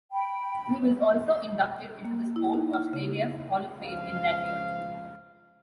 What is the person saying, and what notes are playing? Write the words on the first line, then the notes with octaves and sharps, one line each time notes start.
He was also inducted into the Sport Australia Hall of Fame in that year.
G5 B5
A#3
E4
D#4
F6
C#3
C#2 F3 F5